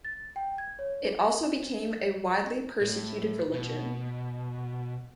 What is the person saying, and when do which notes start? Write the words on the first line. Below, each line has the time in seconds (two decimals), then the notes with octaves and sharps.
It also became a widely persecuted religion.
0.05 A6
0.36 G5
0.58 G#6
0.79 C#5
1.05 G#4
1.30 G#5
1.61 D4
2.81 A2
3.54 B2